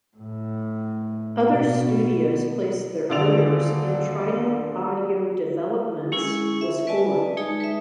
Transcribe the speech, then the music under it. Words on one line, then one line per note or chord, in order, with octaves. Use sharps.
Other studios placed their orders and Trident Audio Developments was formed.
A2
B2
D#1 D3 D5 F7
G#3 C#4 E4 G#4
E5
B4 D5 D#5 G#5 A5
G#3 D#4 G#4 A5
B4 E5